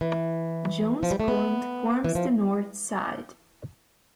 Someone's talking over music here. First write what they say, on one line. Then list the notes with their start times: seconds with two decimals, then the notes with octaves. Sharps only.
Jones Point forms the north side.
0.01 E3
1.03 F3
1.11 G3
1.20 A3
1.28 B3
2.04 E3
2.15 F3